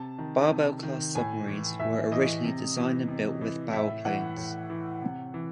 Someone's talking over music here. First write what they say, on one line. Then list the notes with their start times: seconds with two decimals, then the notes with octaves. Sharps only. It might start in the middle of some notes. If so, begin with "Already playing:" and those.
"Barbel"-class submarines were originally designed and built with bow planes.
Already playing: C3 A5
0.18 D#3
0.51 C3
0.83 D#3
1.15 A2 G#5
1.47 E3
1.80 A2 E5
2.12 E3 D#5
2.44 C3
2.77 E3
3.08 C3
3.41 E3
3.73 A2 E5
4.05 E3 F#5
4.37 A2
4.70 E3
5.02 C3
5.34 E3